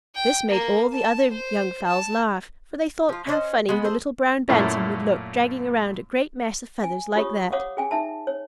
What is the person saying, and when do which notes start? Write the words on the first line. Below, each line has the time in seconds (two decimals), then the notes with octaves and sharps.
This made all the other young fowls laugh, for they thought how funny the little brown Bantam would look dragging around a great mass of feathers like that.
0.15 G5
0.50 A#3
0.92 A5
1.32 C5
1.87 A5
3.09 F3 F4
3.27 C#4 D4 C5 D#5
3.69 G#3 B3
3.84 G#4 A4 C5
4.49 F#2 A#2 A3 A#3 C#4 E4
6.84 G#5
7.15 F4 G4 C#5 C#6 D#6
7.52 C#5 F5 F#5 D6 D#6
7.77 G#4 G5 G#5
7.91 D#4 E5 A5
8.27 C#5